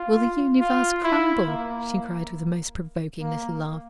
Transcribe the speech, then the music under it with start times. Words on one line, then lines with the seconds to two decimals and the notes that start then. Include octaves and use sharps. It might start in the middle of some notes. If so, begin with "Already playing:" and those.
"Will the universe crumble?" she cried with the most provoking little laugh.
Already playing: F4
0.61 F4
1.04 E4
1.47 A#3
3.21 A#3